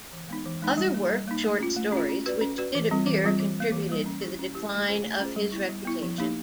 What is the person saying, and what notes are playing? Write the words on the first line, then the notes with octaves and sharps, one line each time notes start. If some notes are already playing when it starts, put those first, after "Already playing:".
Other work, short stories, which did appear contributed to the decline of his reputation.
E3
G#3 B3 D#4
E3
G#3 B3 D#4
G3
A#3 D#4
G3
A#3 D#4
A3
C#4 F4
A3
C#4 F4
C#4
F#4 B4 D5
C#4
F#4 B4 D5
E3
G3 C4 F4
E3
G3 C4 F4
E3
G3 A#3
E3
G3 A#3
C#4
E4 G4
C#4
E4 G4
A3
C#4 F4 G#4 C5
A3
C#4 F4 G#4 C5
G3
B3 E4
G3
B3 E4
F3
A#3 D#4 G4